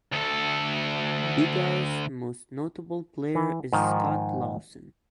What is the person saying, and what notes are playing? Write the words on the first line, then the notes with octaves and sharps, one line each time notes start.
Biggar's most notable player is Scott Lawson.
D2 A4
E3
G#2 D#3 F3